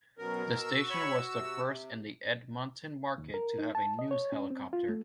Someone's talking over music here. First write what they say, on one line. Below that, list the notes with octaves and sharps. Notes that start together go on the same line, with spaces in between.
The station was the first in the Edmonton market to have a news helicopter.
B2 F#3 B3 C#4 A#4
F#4 E6
C#5 B5 C#6
C3
D#2
A#4
D#4
A5
D#5
C#5
C#4
C4
F4
A3